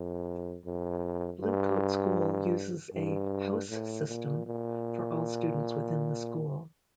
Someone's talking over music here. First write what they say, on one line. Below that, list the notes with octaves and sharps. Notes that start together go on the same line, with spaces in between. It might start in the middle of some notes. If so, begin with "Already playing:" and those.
Blue Coat School uses a "house system"; for all students within the school.
Already playing: F2
F2
G2
G2
A2
A#2
A#2